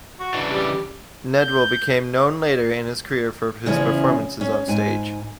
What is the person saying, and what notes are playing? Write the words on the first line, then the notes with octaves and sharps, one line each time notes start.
Nedwell became known later in his career for his performances on stage.
F#4
C#3 E3 D4
G3
G6
E2 C#3 F3 C#4 E4 G#4
C#4
G#2 G#5